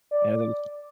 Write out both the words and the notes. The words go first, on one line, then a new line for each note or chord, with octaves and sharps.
and it's
D5